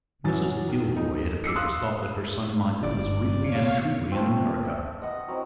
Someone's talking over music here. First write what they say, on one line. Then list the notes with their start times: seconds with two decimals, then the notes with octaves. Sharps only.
Mrs. Gilroy, it appears, thought that her son, Michael, was really and truly in America.
0.24 F#2 E3 F#3 A6
0.69 D#3
0.96 D#4
1.44 D6 E6 C7 C#7
1.56 F5 C6 D#6 E6 F#6
2.83 G1 G#2 D5
3.44 C3 C#5 F5
4.12 C4 F4 A5 C#6
4.65 E5
5.02 D#5 F#5 D#6
5.28 F#3 C4 E4